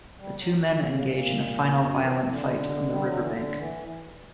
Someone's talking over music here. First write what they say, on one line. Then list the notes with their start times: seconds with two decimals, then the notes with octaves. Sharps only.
The two men engage in a final violent fight on the riverbank.
0.17 G3
0.36 F#3
0.53 E3
0.70 D3
0.87 C#3
1.04 A#2
1.75 F#2
2.01 E3
2.27 D3
2.90 G3
3.04 F#3
3.18 E3
3.31 D3
3.57 E3